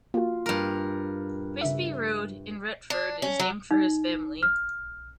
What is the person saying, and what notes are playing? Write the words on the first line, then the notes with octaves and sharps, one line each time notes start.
Bigsby Road in Retford is named for his family.
A#3 F4 F#4
G2 A#4
C#3 E5
D4
C#4
F#3
D#4
F6